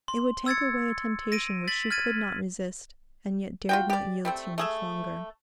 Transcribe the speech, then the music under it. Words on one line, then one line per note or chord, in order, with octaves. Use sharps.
It would take away a temptation which she could not resist, and yet dared not yield to much longer.
C6
E6 G#6 A6 C#7
A#6 D7 D#7
A6 B6 F#7
F6 G#6 A6 D#7
F4 F#4 G5
G4 D5
G3 A3 C4
A3 G#4 E5